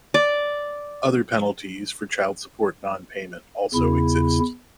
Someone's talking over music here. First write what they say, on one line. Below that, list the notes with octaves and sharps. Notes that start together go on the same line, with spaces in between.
Other penalties for child-support non-payment also exist.
D5
E2 C#3 E4